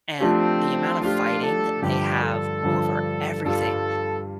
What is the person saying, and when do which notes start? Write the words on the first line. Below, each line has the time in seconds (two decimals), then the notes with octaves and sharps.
and the amount of fighting they have over everything
0.20 F3 A3 C4 D4 G4
1.01 F3 A3 D4 F4 G4
1.42 A4
1.82 G2 D3 F3 G4
2.23 A4
2.63 G2 D3 F3
3.44 G2 G3 F4 A4